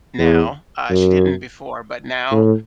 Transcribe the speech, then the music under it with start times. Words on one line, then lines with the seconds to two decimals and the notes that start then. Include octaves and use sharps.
now- uh, she didn't before- but now,
0.19 E2
0.90 F#2
2.31 A2